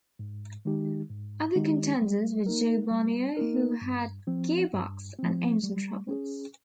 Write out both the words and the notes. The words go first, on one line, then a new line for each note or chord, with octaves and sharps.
Other contenders were Jo Bonnier, who had gearbox and engine troubles.
G#2
D#3 G#3 D#4 G4
G#2
D#3 G#3 D#4 G4
G3
A#3 D#4 A#4
G3
A#3 D#4 A#4
G2
F3 C4
G2
F3 C4
G3
C#4 G#4